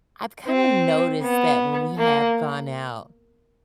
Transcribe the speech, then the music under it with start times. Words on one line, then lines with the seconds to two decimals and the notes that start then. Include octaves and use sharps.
I've kinda noticed that when we have gone out,
0.48 C4
1.23 B3
1.98 A#3